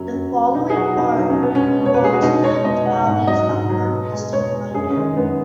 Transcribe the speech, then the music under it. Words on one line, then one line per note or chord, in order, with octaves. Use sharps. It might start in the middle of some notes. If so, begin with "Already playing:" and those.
The following are approximate tallies of current listings by area.
Already playing: F#2 F#3 C#4
F#2
F#3
B2 D#4
G#4
F#3 F#4
B2 D#4
F#3 D#4
C#4
B2 B3
G#3 C#4
B2
C#5
B4
G#3 G#4
F#4
B2 D#4
G#3 C#5
B2 D#5
G#3 F#5
G#2 F#5
F#3 D#5
G#2
F#3
B2
G#3
B2 C#5
G#3
F#2 G#4
C#4
D#3 G#3 D#4
F#2 B3